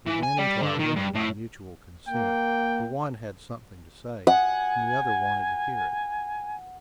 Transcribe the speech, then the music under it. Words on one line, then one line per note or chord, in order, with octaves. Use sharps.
We went into our room by mutual consent, for one had something to say, and the other wanted to hear it.
E3
G#5
G3
D3
D#3
G2
A2
A#3 G5
F#5 G#5